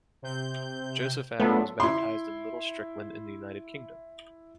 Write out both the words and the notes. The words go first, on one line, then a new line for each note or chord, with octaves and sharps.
Joseph Abbott was baptized in Little Strickland, in the United Kingdom.
C3 G6
F#3 A3 B3 D4 F4 A4
E4 C6